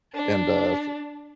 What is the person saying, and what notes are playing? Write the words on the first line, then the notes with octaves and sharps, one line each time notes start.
and, uh, f
D4